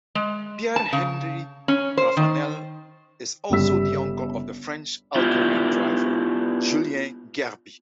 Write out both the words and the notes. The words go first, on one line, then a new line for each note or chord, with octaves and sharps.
Pierre-Henri Raphanel is also the uncle of the French-Algerian driver Julien Gerbi.
G#3
A5
C#3
C#4
C5
D#3
G1 C#3 G3 E6 B6
B3 D4 E4 F4 G4